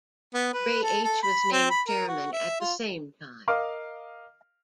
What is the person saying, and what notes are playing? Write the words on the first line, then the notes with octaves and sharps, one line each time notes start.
Ray H. was named chairman at the same time.
B3
B4
A4
A4
B5
C4
B5
A#4
F#4
E5
F4
A#4 D#5 F5 D6 F6